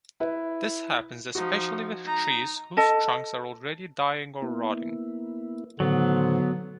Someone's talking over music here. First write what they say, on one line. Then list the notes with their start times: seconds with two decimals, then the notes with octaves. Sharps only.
This happens especially with trees whose trunks are already dying or rotting.
0.20 E4 B4
1.35 F3 D#4 F#4
2.05 D#4 A#5
2.77 A4 D#5 A5
4.42 A#3 B3 E4
5.80 A2 D3 D#3 F#3 B3 C5